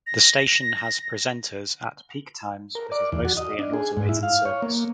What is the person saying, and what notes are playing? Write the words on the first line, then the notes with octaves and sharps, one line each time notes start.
The station has presenters at peak times but is mostly an automated service.
A#6
A#4
D5
E2
F#4
D#5
D4
G#4
G#2
E4
F5
C#5
A#3